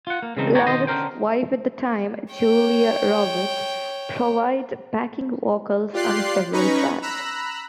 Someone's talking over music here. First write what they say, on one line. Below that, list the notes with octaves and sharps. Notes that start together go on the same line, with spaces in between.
Lovett's wife at the time, Julia Roberts, provides backing vocals on several tracks.
F4 F#5
A#3
C#3 E3 G#3 A3 C4 D#4
A2 D3 C#5 D5 G5 A#5
B2 D#3 C5 D#5
D3 C#4 F#4 A#4 C5 G5
C#5 G5
F4 G4 D5 C6 F#6 C7
C#4 D#4 B4 A#5 B5 C#6
A#5 B5 E6 F#6